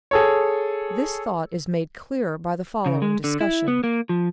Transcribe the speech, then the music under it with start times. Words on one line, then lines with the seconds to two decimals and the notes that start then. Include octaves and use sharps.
This thought is made clearer by the following discussion.
0.11 G#4 A4 C#5
2.86 C#3
3.02 G#3
3.24 D3
3.41 E4
3.68 B3
3.84 A#3
4.09 F3